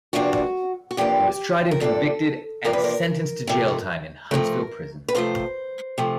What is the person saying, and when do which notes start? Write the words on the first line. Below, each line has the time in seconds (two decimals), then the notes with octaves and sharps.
He was tried and convicted and sentenced to jail time in Huntsville Prison.
0.13 E2 C3 F3 A#3 D4 F#4
0.91 F#4
0.97 E2 C3 F3 A#3 D4 G4
1.71 A#4
1.80 E2 C3 F3 A#3 D4 A4
2.64 E2 C3 F3 A#3 D4 A#4
2.73 B4
2.84 A#4
3.47 C3 F3 A3
4.31 C3 F3 A3 A#4
5.08 B4
5.15 C3 F3 A3 C5
5.98 C3 F3 A3